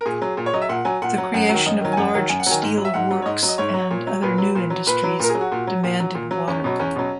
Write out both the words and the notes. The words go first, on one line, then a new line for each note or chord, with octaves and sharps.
The creation of large steel works and other new industries demanded water.
A#4
A#2 G#4
F#3
A#2
C#5
F#3 D#5
E5
A#2 F#5
F#3 G#5
A#2 F#5
F#3
F#2 F#5
D#3 F#3
F#2 D#5
D#3 F#3
G#5
F#2 F#5
D#3 F#3
F#2 G#5
F#5
D#3 F#3 G#5
G#2
F#3
E5
G#2 F#5
F#3
C#5
G#2 D#5
F#3
D#5
G#2 C#5
F#3
A#2
F#3
A#2 B4
F#3
A#2
F#3
A#2 B4
F#3
A#2 A#4
G#4
F#3
F#4
A#2
F#3
A#2
F#3
A#2
F#3
E2 C#4
B2 F#3
E2 C#4
B2 F#3